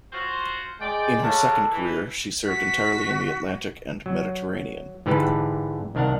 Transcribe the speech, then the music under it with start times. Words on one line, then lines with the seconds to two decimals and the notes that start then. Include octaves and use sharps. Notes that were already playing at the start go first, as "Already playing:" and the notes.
In her second career, she served entirely in the Atlantic and Mediterranean.
0.13 F4 F#4 C5
0.81 G#3 D5 G5
1.23 C#3 F#3 D4 A4
1.72 E3
2.45 F#4 B6
4.06 F#3
5.06 G#2 D3 E3 G4 B4 A5
5.95 C2 D#3 D4 F5 F#5